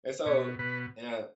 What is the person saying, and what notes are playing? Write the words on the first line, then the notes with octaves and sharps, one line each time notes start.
and so and,
B2 C#5
B2 B4